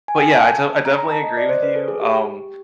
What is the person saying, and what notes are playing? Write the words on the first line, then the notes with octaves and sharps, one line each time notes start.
But yeah, I de I definitely agree with you, um,
G#5
G5
G#5
A5
A#5
A#5
A5
D#5
D5
C5
B4
A4
G#4
G4